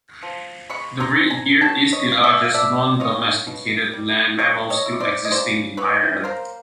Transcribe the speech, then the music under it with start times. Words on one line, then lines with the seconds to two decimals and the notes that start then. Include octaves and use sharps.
The red deer is the largest non-domesticated land mammal still existing in Ireland.
0.23 F3
0.70 G#3 B5 C#6
1.00 A#5 C6
1.16 C4
1.30 G#5 A#5
1.61 F#3 G5 A5
1.93 C#5 D#5
2.08 B3 F5
2.23 D5 E5
2.44 F5
2.54 D4 D5 E5
3.00 F4 C#5 D#5
3.47 B2
3.93 G3
4.39 C4 C#5 D#5
4.70 C#5 D#5
4.86 E4
5.00 C5 D5
5.25 D#5
5.31 C#3 C5 D5
5.77 F#3 B4 C#5
6.24 A#3 A#4 C5